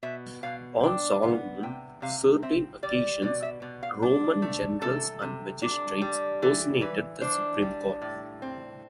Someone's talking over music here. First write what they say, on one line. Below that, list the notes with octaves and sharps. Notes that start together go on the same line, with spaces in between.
On solemn certain occasions Roman generals and magistrates personated the supreme god.
B2 E5
B2 F5
D4 G5
B3 F5
C3 G5
C3 F5
C4 E5
G3 D5
B2 D5
E5
B2
F5
D4
A3
C3 A4
C3
D4
G3
E3 A4
E3 B4
D4 C5
G3
A2
C4